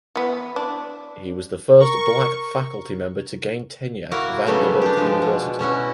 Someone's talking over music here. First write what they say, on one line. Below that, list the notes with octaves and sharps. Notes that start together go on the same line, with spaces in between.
He was the first Black faculty member to gain tenure at Vanderbilt University.
E3 B3
D4
A#4 C#6
A#3 E4 F#4 A#4
C#3 F#3 G3 A3 B3
D4 G4
F3 G#3
B2
B2 C#4 E4 F#4